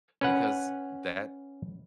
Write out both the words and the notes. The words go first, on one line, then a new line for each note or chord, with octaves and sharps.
because that
C#4 B4 F#5